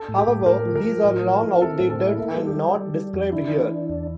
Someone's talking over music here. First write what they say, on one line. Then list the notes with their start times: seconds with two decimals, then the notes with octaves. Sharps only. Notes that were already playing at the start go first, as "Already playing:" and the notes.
However these are long outdated and not described here.
Already playing: A4
0.08 A2
0.18 G4
0.28 A2
0.46 A2 A#4
0.65 F3
0.76 A#4
0.85 F3
1.04 A2
1.23 F3
1.42 E4
1.61 C4 A4
1.80 A2
1.90 A4
1.99 E4
2.18 A#3 A4
2.37 G3
2.47 G4
2.56 G3
2.75 G3
2.94 G3
3.13 F2
3.32 D4 E4
3.52 E3
3.70 D4
3.89 E2